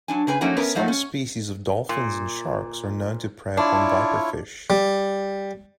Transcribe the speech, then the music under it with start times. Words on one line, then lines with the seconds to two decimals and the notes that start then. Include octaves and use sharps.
Some species of dolphins and sharks are known to prey upon viperfish.
0.08 F#3 D4 G#5
0.27 C#3 G#4 B4 G#5
0.41 F3 A3 A#3 C#4 D#4 F#4
0.57 B3 C#4 A#4
0.75 F3 F#3 A3 D#4 F4 F#4
0.88 C#4
1.89 A#2
3.57 D4 E4 F4 C#5
4.70 G3